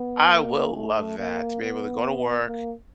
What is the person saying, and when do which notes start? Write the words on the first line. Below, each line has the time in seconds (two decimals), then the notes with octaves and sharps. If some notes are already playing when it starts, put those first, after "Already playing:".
I will love that to be able to go to work,
Already playing: B3
0.32 A#3
0.75 A3
1.19 A#3
1.62 B3
2.47 A#3